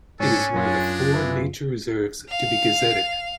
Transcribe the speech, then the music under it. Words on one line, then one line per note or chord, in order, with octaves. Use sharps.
It is one of the four nature reserves to be gazetted.
G#2 C#4 D4 G#4 A4
F#2 G#3 D4 F4
E3
F5